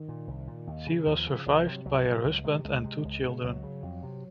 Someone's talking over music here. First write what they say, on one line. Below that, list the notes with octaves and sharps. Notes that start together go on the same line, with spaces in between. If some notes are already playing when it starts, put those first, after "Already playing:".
She was survived by her husband and two children.
Already playing: D#3
A#2
C2
A#2
D#2
C#3
D#2 F3
C#3
C2 F3
C3 F#3
C2 F#3
C3
C#2 F#3
C3 G#3
C#2 G#3
C3
C#2
C#3
C#2 F#3
C#3
F2
C3